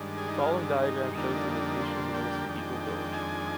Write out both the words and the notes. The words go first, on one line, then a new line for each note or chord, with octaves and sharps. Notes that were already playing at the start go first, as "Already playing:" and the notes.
The following diagram shows the localities nearest to Eagle Village.
Already playing: G2 D#3 G#3 D4
G#4
D#4
F4
D4
D#4
F2 D3 G3 A#3 D4 D#4
C5
G5
F2 D#3 G#3 D4
G5
G#5